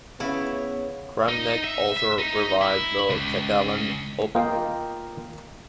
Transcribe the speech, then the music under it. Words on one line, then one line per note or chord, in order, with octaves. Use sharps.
Kramnik also revived the Catalan Opening.
C#3 B3 E4 C#5
D#4
E5
E5
D#4
E4
C#2
A#3 F4 D#5 F5 G5